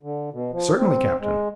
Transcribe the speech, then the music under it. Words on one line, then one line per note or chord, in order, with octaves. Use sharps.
"Certainly, captain."
D3
B2
F3
C4
G#3